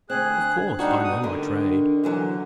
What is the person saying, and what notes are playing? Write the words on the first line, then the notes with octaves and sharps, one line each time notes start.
Of course I know my trade.
D2 C4 G#4 F#6
G3 D4 D#4 F#4
B2 D#6
D3 D#3 D4
D3 E3 F#3